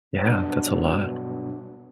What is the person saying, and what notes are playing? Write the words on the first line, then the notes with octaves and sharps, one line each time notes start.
Yeah, that's a lot.
G2 B2 F#3 B3 D4